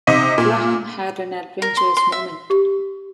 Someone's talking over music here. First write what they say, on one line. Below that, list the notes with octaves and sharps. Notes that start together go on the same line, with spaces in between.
Graham had an adventurous moment.
C3 D#4 D#5 B6 D#7
A#2
A#4
C6
C6
E5
G4